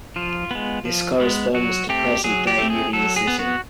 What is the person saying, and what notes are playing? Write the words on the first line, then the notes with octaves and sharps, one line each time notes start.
This corresponds to present day Union City.
F3 F4
G#3 B3
F3
G#3 B3
F#3 F#4
A3 C4 G4
F#3 G#4
G4
A3 C4
G#4
F#3 A4
G#4
B3
F#4